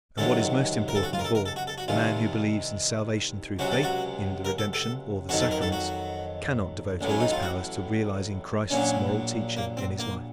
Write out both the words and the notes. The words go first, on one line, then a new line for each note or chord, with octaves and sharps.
And what is most important of all--the man who believes in salvation through faith in the redemption or the sacraments, cannot devote all his powers to realizing Christ's moral teaching in his life.
C#2 C3 D#3 F#3 A4
A#4
A4
F#4
F4
A#4
A4
A#4
A4
F#4
A4
F#4
C2 C3 D#3 F4
C#2 C3 F#3 F#4
A4
F#4
A#4
A4
A4
F2 D#3 F#3 F#4
A4
A#4
A4
F#4
A1 A2 F#3
C#4
D#4
F4
F#4
A#1 A#2 F#3 C#4
A#3
C4
A#3